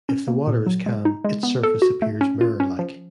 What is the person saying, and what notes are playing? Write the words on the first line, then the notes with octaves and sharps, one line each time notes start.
If the water is calm, its surface appears mirror-like.
C#4
A#3
A#2
F#3
G#3
D#4
G#3
B3
A4
F#4
A3
C#4
F4
C#4
F3